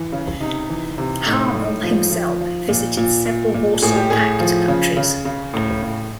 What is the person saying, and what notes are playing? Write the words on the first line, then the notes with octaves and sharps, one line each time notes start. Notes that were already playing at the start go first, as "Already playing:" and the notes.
Harmel himself visited several Warsaw Pact countries.
Already playing: E3
C#3
C3 D#4
E3
C3
A2 D#4
A2
F3
F3
F3
A#2
A#2
A#2
A#2
A2 G#4
G4
A2 G#4
F3
C#3
C#3
C#3
A2
A2